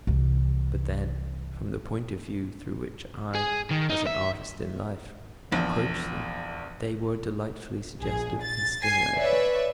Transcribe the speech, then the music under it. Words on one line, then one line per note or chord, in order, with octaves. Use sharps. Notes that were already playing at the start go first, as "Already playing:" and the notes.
But then, from the point of view through which I, as an artist in life, approach them they were delightfully suggestive and stimulating.
C2 E3
G#4
D#3
D#4
E5
A#1 E2
A#1 G#4
A6
G#5 C7
B4 C#5 D5 E5